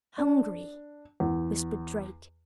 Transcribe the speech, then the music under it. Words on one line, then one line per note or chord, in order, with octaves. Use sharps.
"Hungry!" whispered Drake.
D4
E2